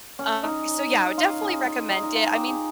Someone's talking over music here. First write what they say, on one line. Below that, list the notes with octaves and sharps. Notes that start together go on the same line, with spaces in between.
Uh, so yeah, I would definitely recommend it. I mean,
C#4
D#4
F4
G#4
F4
D#4
D#4
F4
G4
G#4